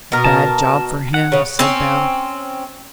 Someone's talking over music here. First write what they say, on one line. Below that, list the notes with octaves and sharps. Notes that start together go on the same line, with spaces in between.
"A bad job for him," said Bell.
B2 A#4
A5
F#5
C#3 C#4
C4 C#4